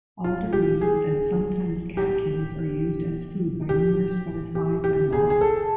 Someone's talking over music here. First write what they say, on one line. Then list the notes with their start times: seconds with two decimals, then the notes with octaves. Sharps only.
Alder leaves and sometimes catkins are used as food by numerous butterflies and moths.
0.24 F4
0.53 G4
0.81 G#4
1.97 G4
3.69 G4
4.55 G4
4.84 G4
5.13 G#4
5.30 G#4
5.41 A4